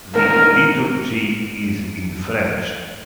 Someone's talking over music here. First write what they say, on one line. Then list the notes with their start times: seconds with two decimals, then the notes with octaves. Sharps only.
The liturgy is in French.
0.15 A#4